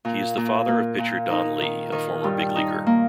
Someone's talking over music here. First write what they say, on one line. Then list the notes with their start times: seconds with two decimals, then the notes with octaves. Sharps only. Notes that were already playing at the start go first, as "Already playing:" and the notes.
He is the father of pitcher Don Lee, a former big leaguer.
0.05 A#2
0.37 A#2
0.68 A#3
0.99 A#2
1.30 D#4
1.61 D#3
1.92 D#3
2.24 G2
2.55 D#4
2.86 A#3